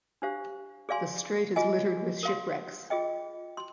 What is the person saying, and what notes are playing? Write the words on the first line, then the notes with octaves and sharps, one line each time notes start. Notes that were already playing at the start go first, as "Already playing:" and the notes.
The strait is littered with shipwrecks.
D4 G4 C5 F5
G#4 D5 F5 G#5 C6
F4 G#4 D#5 G#5
A#4 F5 C6
F4 G#4 D#5 G5
C6